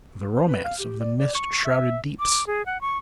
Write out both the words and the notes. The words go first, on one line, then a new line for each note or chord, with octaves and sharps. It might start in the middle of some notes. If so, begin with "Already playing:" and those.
The romance of the mist-shrouded deeps.
C5
B4
F5
G4
D5
D5
C#6
E5
D6
G#4
F#5
C#6